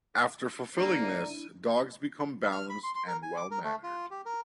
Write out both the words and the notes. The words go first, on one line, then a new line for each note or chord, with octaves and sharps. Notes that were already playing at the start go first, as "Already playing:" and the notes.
After fulfilling this, dogs become balanced and well-mannered.
G#2 D3 A#3 D4 E4 D5 A#5 D#7
F6
B5
C6
C6
A#4
G#5
D6
A#4
A3
F4
G4
A#4